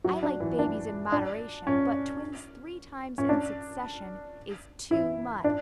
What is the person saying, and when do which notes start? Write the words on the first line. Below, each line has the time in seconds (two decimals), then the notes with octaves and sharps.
I like babies in moderation, but twins three times in succession is TOO MUCH.
0.04 F#3 F#4
0.23 D4
0.40 E3 E4
0.59 D4
1.12 D4
1.67 C#4
3.18 C#4
3.29 D4
4.91 E3 E4
5.44 D4